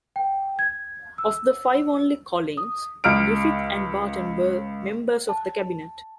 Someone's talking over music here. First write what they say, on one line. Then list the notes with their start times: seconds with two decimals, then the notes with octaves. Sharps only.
Of the five only Collins, Griffith and Barton were members of the cabinet.
0.16 G5
0.59 G#6
1.18 E6
2.57 D#6
3.04 C#2 F6 D7
5.29 A5